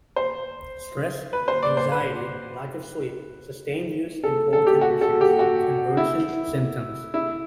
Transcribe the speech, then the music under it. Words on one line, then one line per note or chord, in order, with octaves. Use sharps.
Stress, anxiety, lack of sleep, sustained use and cold temperatures can worsen symptoms.
C5
B4
C5
D5
C5
B4
A4
A4
G4
F#4
A4
G4
F#4
E4
E4